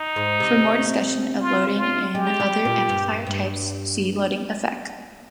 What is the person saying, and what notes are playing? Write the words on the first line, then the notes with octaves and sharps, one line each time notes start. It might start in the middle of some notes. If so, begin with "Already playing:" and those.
For more discussion of loading in other amplifier types, see loading effect.
Already playing: D#4
G#2
C3
F4
F4
G#3 G4
G3
A#2
G2
G2